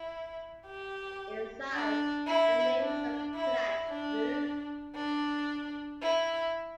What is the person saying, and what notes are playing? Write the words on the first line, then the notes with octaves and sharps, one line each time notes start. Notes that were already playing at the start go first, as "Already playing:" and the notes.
Inside, the nave has a flat roof.
Already playing: E4
G4
D4
E4
D4
E4
D4
D4
E4